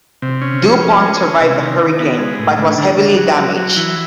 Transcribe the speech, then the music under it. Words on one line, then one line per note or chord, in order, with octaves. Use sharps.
"Du Pont" survived the hurricane, but was heavily damaged.
C3
C#4
F3
C#4
G#3
C#4
C3
D#3
D#3
B3
G#3
A2
D3
D3
D3
F#3
F#3
F#3
E3